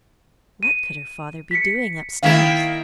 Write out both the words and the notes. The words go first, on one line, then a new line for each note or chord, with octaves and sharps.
What could her father be doing up-stairs?
D#7
B6 C#7
D#3 A#3 E4 F5 B6